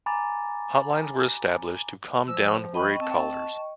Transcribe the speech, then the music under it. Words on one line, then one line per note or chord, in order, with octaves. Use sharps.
Hotlines were established to calm down worried callers.
G#5 A#5 B5 D6 A6
F3 E6
D#5 G5 B5 C#6
C4 A5